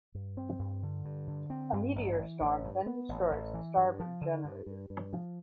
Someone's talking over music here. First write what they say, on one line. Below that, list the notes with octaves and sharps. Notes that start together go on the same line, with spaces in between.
A meteor storm then destroys the starboard generator.
G2
C4
G2
D3
G2
D3
C4
G2
A1
E3
A1
G2
B3
A1
A1
E3
G2
F3
D3
G2
G2
G2
F3